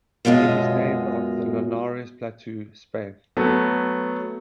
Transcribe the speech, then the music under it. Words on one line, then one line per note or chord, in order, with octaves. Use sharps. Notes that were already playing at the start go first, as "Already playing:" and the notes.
It is named after the Linares Plateau, Spain.
F#2 B2 G#3 F4 D#5
F#3 A3 B3 A4